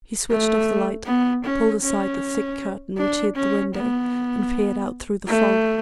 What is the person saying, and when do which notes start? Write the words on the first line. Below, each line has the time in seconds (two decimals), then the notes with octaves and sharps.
He switched off the light, pulled aside the thick curtain which hid the window, and peered out through the fog.
0.30 A3
1.06 B3
1.45 C#4
1.83 C#4
2.97 D4
3.36 C#4
3.74 B3
5.27 A3